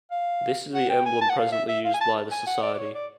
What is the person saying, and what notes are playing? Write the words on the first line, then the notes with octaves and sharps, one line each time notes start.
This is the emblem presently used by the society.
F5
F#5
G5
G#5
A5
F#5
F5
E5
E5
F5
G#5
A5
G#5
F#5
D5
D5
C#5
D5